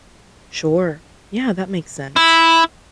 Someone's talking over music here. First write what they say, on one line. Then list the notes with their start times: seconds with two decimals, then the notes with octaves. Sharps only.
Sure. Yeah, that makes sense.
2.17 E4